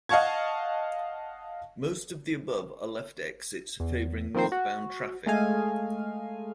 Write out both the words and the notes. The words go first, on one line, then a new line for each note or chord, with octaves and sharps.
Most of the above are left exits favoring northbound traffic.
D#5 F5 F#5 A5 C#6 G#6
E2
D#3 F3 C4 A#4 C5
F#4
G#3 A3 D#5 F5 G#5